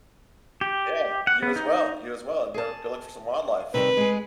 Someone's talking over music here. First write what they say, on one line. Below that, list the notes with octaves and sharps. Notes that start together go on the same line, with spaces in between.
yeah, you as well, you as well, and go go look for some wildlife.
G4
F#5
B3
D#4
G#4 A5
C3 D#3 G3 B4
G#3 G#4